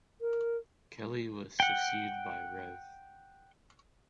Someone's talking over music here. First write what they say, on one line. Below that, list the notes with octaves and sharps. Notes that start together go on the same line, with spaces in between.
Kelly was succeeded by Rev.
A#4
F#5 G5